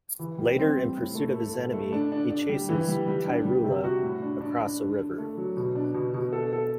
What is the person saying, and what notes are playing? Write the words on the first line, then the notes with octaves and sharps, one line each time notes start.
Later in pursuit of his enemy, he chases Khairulla across a river.
E3
G3
C4
G3
A2
A3
A3
A2
A3
D4
D4
D4
G3
E3
G3
G3
D4
G3
C3
F#4
A2
D4
D4
D4
D3
D3
A3
F#3
B2
D4
B2
B2
A4
A4